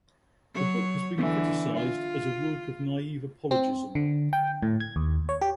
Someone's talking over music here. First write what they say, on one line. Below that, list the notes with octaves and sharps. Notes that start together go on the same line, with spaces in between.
The book has been criticized as a work of naive apologism.
F#3 C#5
D3 E3
F4
C4
D3
G5
A2
G#6
D#2
C#5
G4